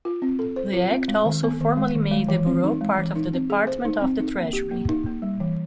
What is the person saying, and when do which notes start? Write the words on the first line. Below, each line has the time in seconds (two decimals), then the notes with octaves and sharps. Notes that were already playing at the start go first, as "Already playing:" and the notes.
The act also formally made the bureau part of the Department of the Treasury.
0.05 F4
0.22 C4
0.39 A4
0.56 C5
0.73 F4
0.90 C4
1.08 G#3
1.25 D#3
1.43 B3
1.61 D#3
1.77 G#3
1.95 D#3
2.11 G#3
2.28 E3
2.46 C4
2.64 D#4
2.81 G#3
2.98 E3
3.16 D#4
3.33 C4
3.50 G#4
3.67 C5
3.85 D#4
4.02 C4
4.20 D#4
4.37 A#3
4.53 G4
4.71 A#3
4.89 D#4
5.06 A#3
5.22 G3
5.40 E3